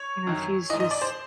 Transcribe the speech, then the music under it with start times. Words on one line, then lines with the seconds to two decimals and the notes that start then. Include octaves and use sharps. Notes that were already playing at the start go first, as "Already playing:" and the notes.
you know, she's just
Already playing: C#5
0.27 F#2 D#3 F#3
0.69 E3 D#5
0.73 G#2
0.80 D#5
0.91 D5
1.02 C5